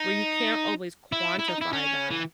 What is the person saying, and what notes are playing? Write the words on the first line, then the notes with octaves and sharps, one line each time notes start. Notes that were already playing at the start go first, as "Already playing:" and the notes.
where you can't always quantify that
Already playing: D#4
E4
E4
D#4
E4
C#4
E3